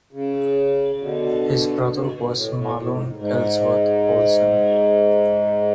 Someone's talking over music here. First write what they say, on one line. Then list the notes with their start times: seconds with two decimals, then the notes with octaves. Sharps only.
His brother was Mahlon Ellsworth Olsen.
0.12 C#3
1.00 B2 D3
1.88 B2 D3
2.10 B2
2.32 A2
2.54 A2
2.75 A2
2.89 G#2
3.17 G#2